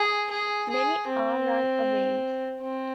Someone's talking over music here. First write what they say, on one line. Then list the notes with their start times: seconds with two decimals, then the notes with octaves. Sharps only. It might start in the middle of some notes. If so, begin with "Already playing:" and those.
Many are "runaways".
Already playing: G#4
0.31 G#4
0.70 G#4
1.08 C4
2.61 C4